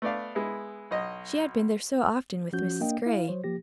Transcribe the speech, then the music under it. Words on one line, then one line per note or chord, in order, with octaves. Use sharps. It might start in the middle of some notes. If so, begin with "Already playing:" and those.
She had been there so often with Mrs. Gray.
A3 B3 D5 F5
G#3 B3 E4
B1 D#5
F3 C#4 F#4 G6
A#3 D4 D#5 G5
E4 F5
F#3 C5 C#5
F3 A#3 G4 A#6